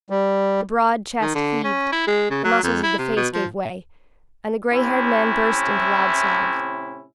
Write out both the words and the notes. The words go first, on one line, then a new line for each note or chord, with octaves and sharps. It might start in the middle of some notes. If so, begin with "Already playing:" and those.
The broad chest heaved, the muscles of the face gave way, and the gray-haired man burst into loud sobs.
G3
D#3
D3
C#4
E4
G#3
C#3
F#3
F2
E4
C3
B2
F3
A2 C3 C#4 E4